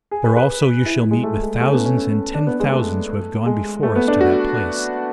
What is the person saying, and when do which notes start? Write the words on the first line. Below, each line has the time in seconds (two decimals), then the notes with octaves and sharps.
There also you shall meet with thousands and ten thousands who have gone before us to that place.
0.11 G#4
0.24 B4
0.37 B4
0.86 E4
0.99 E4
1.11 G#3
1.23 A3
1.42 G#3
1.60 A3
1.67 C#4
1.73 B3
1.85 C#4
1.97 C#4
2.35 D4
2.47 B3
2.60 G#3
2.72 A3
3.46 G#3
3.83 A3
3.96 B3
4.08 D4
4.21 F#4